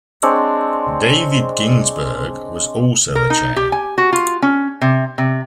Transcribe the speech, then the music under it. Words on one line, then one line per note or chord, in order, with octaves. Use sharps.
David Ginsburg was also a chair.
G#3 C4 D4 C#5
A#4
D#4
G4
G#5
F#4
F4
C#4
C3
C3